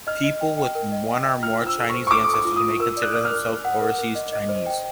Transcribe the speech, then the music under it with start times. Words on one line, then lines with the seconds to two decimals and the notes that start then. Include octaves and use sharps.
People with one or more Chinese ancestors may consider themselves overseas Chinese.
0.07 D#5 F6
0.24 D#5
0.41 G5
0.58 G5
0.75 A#4
0.92 D#5
1.09 G5
1.26 G5
1.43 F4 F6
1.61 C5
1.66 E6
1.78 A4
1.89 C5 C#6
2.07 C#6
2.11 A4 D6
2.23 D#6
2.29 A4
2.34 D6
2.45 F4
2.56 D#6
2.62 F4
2.80 A#4 E6
2.97 D5
3.02 F#6
3.14 D5 F#6
3.25 F6
3.30 A#4
3.47 A#4
3.65 F#5
3.81 A#4
3.98 A#4
4.15 D#5
4.33 D#5
4.49 C5
4.66 G5